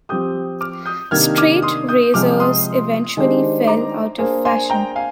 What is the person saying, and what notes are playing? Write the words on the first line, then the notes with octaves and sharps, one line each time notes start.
Straight razors eventually fell out of fashion.
F3 C4 G4 D#6 G6
D6 F6
D#6 G6
C3 D#3 A#3 D4 G4 F6 G#6
D6 F6
C6 D#6
D#6 G6
C3 F3 G#3 D6 F6
C6 D#6
D#3 G#3 D4 G4 C5
A#5 D6
A#3 D4 G#4 C5
G#5 C6
G5 A#5
F5 G#5